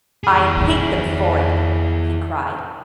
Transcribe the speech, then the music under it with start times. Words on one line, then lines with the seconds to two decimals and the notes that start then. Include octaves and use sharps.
"I hate them for it," he cried.
0.24 E4 G#4